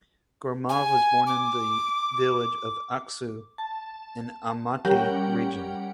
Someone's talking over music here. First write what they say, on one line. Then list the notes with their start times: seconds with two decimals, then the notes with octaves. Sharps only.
Gromov was born in the village of Aksu in Almaty Region.
0.69 G#5
1.27 D6
3.58 A5
4.85 G3 C#4 G4 A#4 F#5 G5